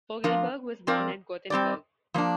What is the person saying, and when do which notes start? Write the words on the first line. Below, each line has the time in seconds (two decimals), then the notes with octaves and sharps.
Fogelberg was born at Gothenburg.
0.24 F3 D4 F4 A#4
0.87 F3 C4 A#4 D5
1.50 G3 C4 G4 D5
2.14 F3 A#3 D4